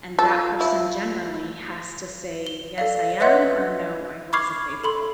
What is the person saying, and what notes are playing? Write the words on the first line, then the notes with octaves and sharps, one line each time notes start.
And that person generally has to say, "Yes, I am," or "No, I was a faithful."
F4 A4
E4
G7
A4 D5 F5
B4 C#5 D#5 E5 F#5 C6
B5 C#6 D6 F6 G#6 C7
A4 B5 C6